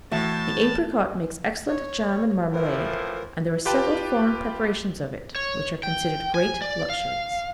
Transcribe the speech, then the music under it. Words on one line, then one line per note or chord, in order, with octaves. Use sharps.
The apricot makes excellent jam and marmalade, and there are several foreign preparations of it which are considered great luxuries.
A2 E3 A3 F#4 E5 A5
C#5
A2 E3 F3 A#4
F4 G4 B4 G5 A5
C#5
G5
G#5
D5
F5